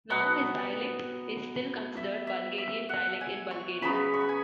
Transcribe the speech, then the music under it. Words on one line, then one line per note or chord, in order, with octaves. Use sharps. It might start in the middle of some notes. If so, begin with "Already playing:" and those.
Now his dialect is still considered Bulgarian dialect in Bulgaria.
B2 F#3 B3 F#5
E5
E5
E5
F#5
G#5
C#6
C#3 F#3 B3 B5
C#6
B5
G#5